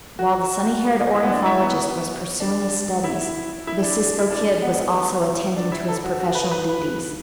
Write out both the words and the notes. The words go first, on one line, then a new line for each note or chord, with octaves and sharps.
While the sunny-haired ornithologist was pursuing his studies the Cisco Kid was also attending to his professional duties.
F#4
E4
B3
D4
E4
B3
D4
E4
E4
D4
E4
D4
B3
D4
E4
A4
F#4
F#4
B4
B4